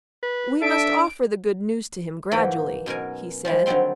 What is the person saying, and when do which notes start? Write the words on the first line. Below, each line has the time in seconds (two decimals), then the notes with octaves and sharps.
"We must offer the good news to him gradually," he said.
0.23 B4
0.62 D4 A4 E5 D7
2.31 G#2 E3 F#3 A#3 G5 B5
2.86 F#2 B2 A#4 G#5
3.45 F3 G3 G#3
3.66 D3 D#3 F#3 G3 C4 C6